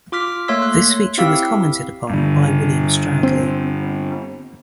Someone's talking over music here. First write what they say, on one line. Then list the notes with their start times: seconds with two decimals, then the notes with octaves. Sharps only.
This feature was commented upon by William Stroudley.
0.12 F4 D6 F6 B6
0.48 A3 A#3 C#5 C6 E6 B6
0.62 F#6
1.18 C4 E4 G4 F5 E6 B6
2.10 G2 D3
3.23 C4